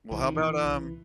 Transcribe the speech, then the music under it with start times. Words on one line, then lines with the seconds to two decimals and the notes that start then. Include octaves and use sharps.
Well, how about, um
0.11 C2 E3
0.23 D#3
0.35 B2 E3
0.64 C2